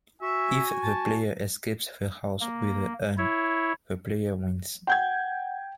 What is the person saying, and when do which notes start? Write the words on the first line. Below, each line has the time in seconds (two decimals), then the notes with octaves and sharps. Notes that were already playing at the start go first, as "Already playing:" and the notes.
If the player escapes the house with the urn, the player wins.
0.22 F#4 E5 G#5
0.83 A5
2.41 A#3
3.18 E4 C#5
4.87 F#5 G5 G6 G#6